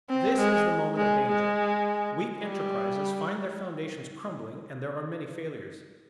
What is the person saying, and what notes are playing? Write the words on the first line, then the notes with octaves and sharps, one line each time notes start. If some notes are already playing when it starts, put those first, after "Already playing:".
This is the moment of danger; weak enterprises find their foundations crumbling, and there are many failures.
C4
G#3
G#3
G#3
G3